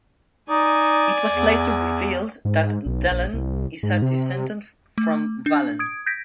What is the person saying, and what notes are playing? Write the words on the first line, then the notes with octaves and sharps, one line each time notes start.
It was later revealed that Delenn is a descendant from Valen.
D#4 D5 G#5
E2
G#2
B1
A#1
C2
G#2
C3
A3
D4
D#6 G#6 D7
G6 G#6 A#6 B6 D7